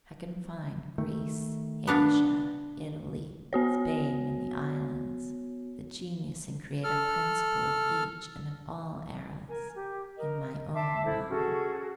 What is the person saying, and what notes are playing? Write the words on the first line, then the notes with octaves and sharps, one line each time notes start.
I can find Greece, Asia, Italy, Spain and the Islands,--the genius and creative principle of each and of all eras, in my own mind.
D#3 A3
B3 D4 F5
B3 F#4 C#5
A4 F6
A#4 G#5
G4
A#4 D#5
E5 A5 C6 D6
E4 A4 C5
C#4 F#4 G#4 A4